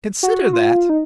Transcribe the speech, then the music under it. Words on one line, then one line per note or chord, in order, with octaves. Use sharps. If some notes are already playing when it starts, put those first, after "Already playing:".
Consider that!
F#4
F4
D#4